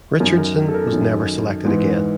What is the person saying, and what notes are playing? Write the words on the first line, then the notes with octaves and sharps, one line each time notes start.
Richardson was never selected again.
F#2 D#3 A#4
A#4
A#4
A4
A#4
F#2 D#3
G#2 E3